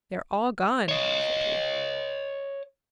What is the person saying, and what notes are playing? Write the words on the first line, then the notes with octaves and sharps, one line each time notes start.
"They're all gone," said he.
C#5 D#5